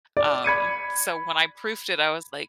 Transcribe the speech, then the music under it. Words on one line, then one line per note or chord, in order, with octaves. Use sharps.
um, so when I proofed it, I was like,
D5
B5 G#6 C#7 D#7